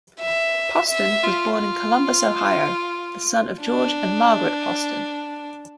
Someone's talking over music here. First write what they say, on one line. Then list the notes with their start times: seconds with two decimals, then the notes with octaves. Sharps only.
Poston was born in Columbus, Ohio, the son of George and Margaret Poston.
0.21 E5
0.89 E5
1.23 F4
1.58 F4
3.63 D4